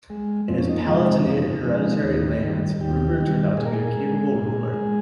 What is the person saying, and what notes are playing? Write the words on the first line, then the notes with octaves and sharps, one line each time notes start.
In his Palatinate hereditary lands, Rupert turned out to be a capable ruler.
G#3
F2 C4
C#4
D#4
C3 F3 G#3 F4
D#4
F2
C3 F3 G#3
D#2
D#3 G3
D#2 G4
D#3 G3
A#2 G#4
A#4
G#4
G#3
A#2
G#3